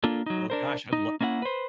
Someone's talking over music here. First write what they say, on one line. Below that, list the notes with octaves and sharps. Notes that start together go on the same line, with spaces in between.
well, gosh, I'd lo
A#3 D4 F4 A4
F#3 D#4
D4 A#4 C5
D#4
A#3 C#4 D4 E4 F#5
B4 C5